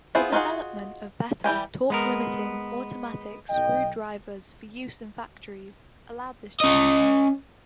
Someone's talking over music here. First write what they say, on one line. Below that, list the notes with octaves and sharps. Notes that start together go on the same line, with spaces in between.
The development of better torque-limiting automatic screwdrivers for use in factories allowed this change.
B3 E4 F4 G#4 C5
D#4 F4 F#4 G#4 F#5
E3 G3 G4 G#5
G#3 B3 A#4
B1 D#5 G5
C#4 D#5